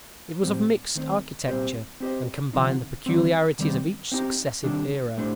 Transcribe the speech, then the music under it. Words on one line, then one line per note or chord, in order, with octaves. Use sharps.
It was of mixed architecture, and combined the peculiarities of each successive era.
A2 G3 C4
D#3 A3 C4 D#4
A#2 G3 C4 G4 C5
C4 G4 C5 D#5
D3 F3 C4 D#4
D#3 G3 C4
D#3 G3 C4
C4 D#4 G4
C3 D#3 G3 D4 A4
A2 A3 D4 G4 C5